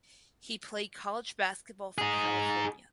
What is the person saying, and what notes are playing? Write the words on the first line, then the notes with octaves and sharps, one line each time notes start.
He played college basketball for California.
D#4 G#4